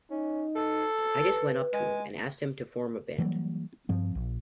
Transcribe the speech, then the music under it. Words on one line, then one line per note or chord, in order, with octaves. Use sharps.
I just went up to him and asked him to form a band.
C#4 D#4
A4
B4
G#3
E3 F#3 G3 A#3
G2 F3 C4
A#1